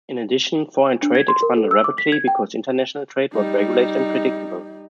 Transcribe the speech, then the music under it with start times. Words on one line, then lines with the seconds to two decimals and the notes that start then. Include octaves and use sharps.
In addition, foreign trade expanded rapidly because international trade was regulated and predictable.
1.03 D4
1.15 G#6
1.28 C6
1.42 A#4
1.57 A4
1.71 E6
1.84 D6
1.98 B6
2.12 G#6
2.28 G5
3.34 G3 D#4